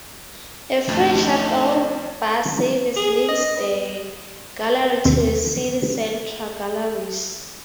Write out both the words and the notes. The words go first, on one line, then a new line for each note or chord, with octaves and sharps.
A free shuttle bus service links the gallery to the city centre galleries.
F2 A3 D4 D#4 A6
G#4
D#5
B3
D#2 C3 C4